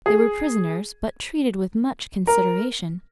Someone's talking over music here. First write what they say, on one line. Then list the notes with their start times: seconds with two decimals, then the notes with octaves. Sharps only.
They were prisoners, but treated with much consideration.
0.06 G#4
2.27 A#4